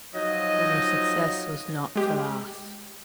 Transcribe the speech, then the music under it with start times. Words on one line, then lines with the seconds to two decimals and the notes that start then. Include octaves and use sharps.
But her success was not to last.
0.14 F3 F#3 D#4 D#5
1.96 G#3 G4